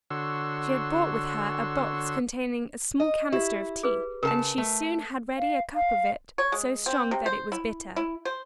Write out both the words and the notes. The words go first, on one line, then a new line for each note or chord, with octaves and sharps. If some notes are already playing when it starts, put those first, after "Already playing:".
She had brought with her a box containing a small canister of tea, and she soon had ready a cup of it, so strong that it was bitter.
D3 F#4 C#5 C6 E6
D#5
E4 G4
G#4 B4
C#3 A4 A#4 A5
A3
F5
F5
C#5
G#3
C4
C3
C5
E4
E4
C5